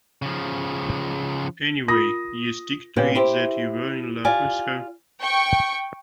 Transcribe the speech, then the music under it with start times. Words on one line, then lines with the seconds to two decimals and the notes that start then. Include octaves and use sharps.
Anyway, you stick to it that you were in love with her?
0.22 C#3 F3
1.88 F4 A#4 D#6 A#6
2.96 A#2 B3 C#4 F#4 G4
3.15 E4 G4 C5
4.25 F4 G4 D5 G#5
5.18 G5 C#6